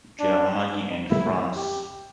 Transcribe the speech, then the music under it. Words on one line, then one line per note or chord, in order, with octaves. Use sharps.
Germany and France.
D4
E4
G4